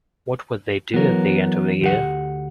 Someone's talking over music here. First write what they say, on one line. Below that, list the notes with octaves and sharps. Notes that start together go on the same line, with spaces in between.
What would they do at the end of a year?
E3 F#3 B3 A#4
D2 G4 F#5